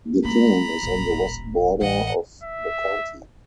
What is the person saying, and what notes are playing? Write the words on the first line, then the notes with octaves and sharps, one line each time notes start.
The town is on the west border of the county.
G#3 A#3 A#5 B5
D#1 A1
A1 D#5 F#5
E5